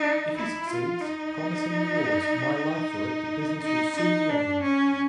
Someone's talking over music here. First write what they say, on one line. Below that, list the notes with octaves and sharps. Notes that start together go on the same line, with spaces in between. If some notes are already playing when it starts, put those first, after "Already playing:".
If he succeeds, promise him rewards; my life for it, the business would soon be over.
Already playing: D#4
E4
F4
D#4
D#4
D#4
D4
C#4